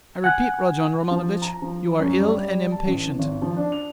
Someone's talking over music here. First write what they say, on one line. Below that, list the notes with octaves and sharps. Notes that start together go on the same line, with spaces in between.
I repeat, Rodion Romanovitch, you are ill and impatient.
F#5 G#5 F#6
F3
A#5
F3
F#2
G3
A5
A1
G#1
F3
D4
F7